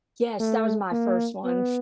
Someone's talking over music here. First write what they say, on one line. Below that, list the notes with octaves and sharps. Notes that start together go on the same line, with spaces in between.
Yes, that was my first one.
A3
A#3
B3